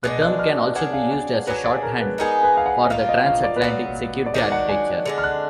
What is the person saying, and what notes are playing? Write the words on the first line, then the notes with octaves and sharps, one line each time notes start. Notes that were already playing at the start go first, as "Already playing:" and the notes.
The term can also be used as a shorthand for the transatlantic security architecture.
B2 G#3 D4 F#6
F#6
F6
F#3 D4 G#4 F#5
F5
D5
F#3 D4 G#4 B4
D5
A#4
B4
G#3 B3 D#4 G#4 A#4
B4
F5
F#5
D#5
F3 A#3 F4 F5
D#5
F5
D5
B4
A#2 F#3 B3 D5
D5
D#3 F#3 D4 D#5
F#5
G#5
D3 G#3 D4
F6
F#6